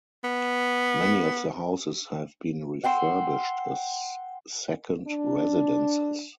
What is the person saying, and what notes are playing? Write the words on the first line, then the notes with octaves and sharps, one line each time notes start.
Many of the houses have been refurbished as second residences.
B3
F#5 G5 C6 E6
D4